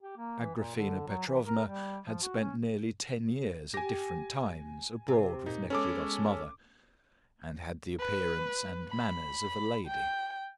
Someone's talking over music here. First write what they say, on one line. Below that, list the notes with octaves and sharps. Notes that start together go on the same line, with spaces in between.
Agraphena Petrovna had spent nearly ten years, at different times, abroad with Nekhludoff's mother, and had the appearance and manners of a lady.
G4
A#3
E3
A#2
D3
F#3
E3
A#4
G3
F3
F#4
C#4
G4 G#5 A#6
C3
A#2 D#4
G#3 B3 C#4 A4 D6
B4
B5
G5